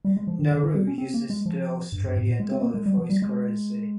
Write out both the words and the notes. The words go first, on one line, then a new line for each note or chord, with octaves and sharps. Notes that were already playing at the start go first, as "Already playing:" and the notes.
Nauru uses the Australian dollar for its currency.
G3
G#3
F3
D#3
D#3
D#3
G3
C#4
C4
A#3
G#3
F3
G2
G2
G#2
A#2
G#3
C4
A#3
G#3
G3
F3
G3
G#3